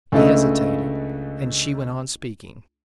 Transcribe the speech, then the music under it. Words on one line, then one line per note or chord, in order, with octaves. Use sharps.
He hesitated--and she went on speaking.
C#2 C#3 A3 D4 A4 D#5